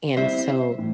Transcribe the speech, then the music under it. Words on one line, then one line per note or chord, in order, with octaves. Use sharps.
And so,
G3 C4 E4 C5 E5
A2 E3